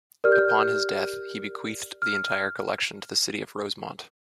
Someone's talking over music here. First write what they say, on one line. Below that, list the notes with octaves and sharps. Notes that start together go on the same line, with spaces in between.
Upon his death, he bequeathed the entire collection to the City of Rosemont.
G4 A#4 D5 F6
G6
F6
F6